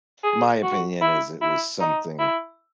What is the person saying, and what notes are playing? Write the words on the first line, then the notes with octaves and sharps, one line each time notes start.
My opinion is it was something
G#4
F#4
E4
E4
D#4
E4